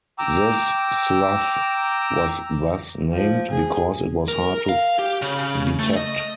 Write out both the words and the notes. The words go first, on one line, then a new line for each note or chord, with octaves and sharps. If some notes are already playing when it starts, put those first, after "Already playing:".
This slough was thus named, because it was hard to detect.
G5 A#5 D6 E6
F3
G#4
A#4
F5
G4
C#3
A3
D#5